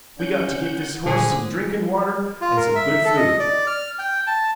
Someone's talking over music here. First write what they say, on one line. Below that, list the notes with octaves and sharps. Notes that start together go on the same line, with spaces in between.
"We got to get this horse some drinkin'-water and some good food."
C#4 F#5 G6
A#2 D3 G#4 C5
F4
A#4
E5
A4
D#5
D5
F6
G5
A5